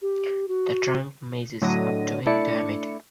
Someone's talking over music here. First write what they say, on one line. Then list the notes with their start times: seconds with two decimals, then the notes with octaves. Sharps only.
The trunk measures up to in diameter.
0.02 G4
0.48 F#4
1.61 A2 D3 F#3 D#5 A#6 D#7
2.26 A3 D4 E4 D5 C#7